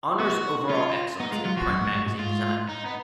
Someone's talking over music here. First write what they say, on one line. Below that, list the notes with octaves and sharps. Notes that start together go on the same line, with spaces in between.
Honors overall excellence in print magazine design.
B3 F#4
C#4 F4
B3 D#4
G#3 F4
F#3 F4
F3 F#4
F#2
G#2
G#2
G#2
G#2 F4
D#4
B3